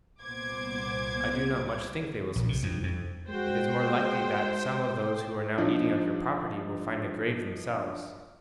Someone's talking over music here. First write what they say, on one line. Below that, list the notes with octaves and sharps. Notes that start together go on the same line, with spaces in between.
I do not much think they will succeed; it is more likely that some of those who are now eating up your property will find a grave themselves.
C2 A#2 B3 C5 D6 G#6
A#1
C3
F2
F2
G#3 F#4 C5 G5
F3 D4 D#4